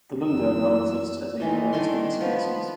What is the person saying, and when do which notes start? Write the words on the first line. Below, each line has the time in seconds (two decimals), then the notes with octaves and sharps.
The Lungdo now exist as a near-extinct species.
0.22 F#2 E3 E6
1.40 D#3 E3 G#3 A3 D#4
1.73 D#3 G3 A3 D4 C6
2.21 F3 B3